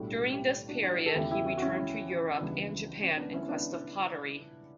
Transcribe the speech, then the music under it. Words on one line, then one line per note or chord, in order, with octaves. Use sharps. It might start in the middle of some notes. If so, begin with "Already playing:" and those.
During this period, he returned to Europe, and Japan in quest of pottery.
Already playing: B1 A2 G3 D4 F#4
D4 F#4
E4 G4
D4 F#4
D4 F#4
A4
E2 C#3 E3 E4 G4
E4 G4
C#4 E4
F#4
C#4 E4
C#4 E4
C#2 C#3 E3 G3 B3 D4
C#4
B3 D4
C#4 E4
B3 D4